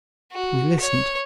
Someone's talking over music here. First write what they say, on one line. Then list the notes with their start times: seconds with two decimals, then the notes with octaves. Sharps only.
We listened.
0.33 F#4
0.80 C#5